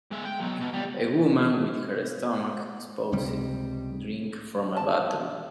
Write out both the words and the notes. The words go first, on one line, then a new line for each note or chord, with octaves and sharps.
A woman with her stomach exposed drink from a bottle.
G#3 E5
G5
B2 F#3
B2
C#2 G3
C#2 C3 G3 G#3
A5